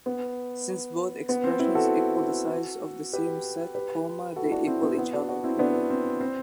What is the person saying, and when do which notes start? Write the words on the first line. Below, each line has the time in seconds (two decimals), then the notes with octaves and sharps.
Since both expressions equal the size of the same set, they equal each other.
0.06 B3
1.29 B3
1.44 C4
1.59 C4 E4
1.75 F#4 A4
3.13 G4 B4
3.75 G4 B4
4.36 F#4 A4
4.44 E4
4.52 D4 F#4
4.67 C4 E4
4.83 B3
4.93 C4
4.98 B3
5.13 D4 F#4
5.29 D4 F#4
5.44 C4 E4
5.59 B3 D4
5.90 C4
6.21 C4